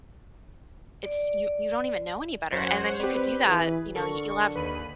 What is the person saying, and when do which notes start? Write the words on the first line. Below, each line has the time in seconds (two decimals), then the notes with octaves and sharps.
It's you you don't even know any better, and then you could do that you know, you'll have
1.05 D5
2.52 F#2 C5 C#5 F#5
2.99 C4 G4 B4 D5
3.47 E3 G#4
3.95 D3 A4 A#4 A5 C#6
4.56 D#2 B4 B5 D#7